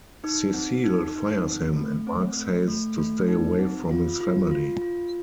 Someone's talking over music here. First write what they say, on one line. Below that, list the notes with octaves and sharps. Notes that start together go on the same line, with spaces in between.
Cecil fires him, and Mark says to stay away from his family.
D#4
C4
D#4
D#4
C4
A3
C4
A3
A3
A3
D#4
C4
F4
F4
F4
F4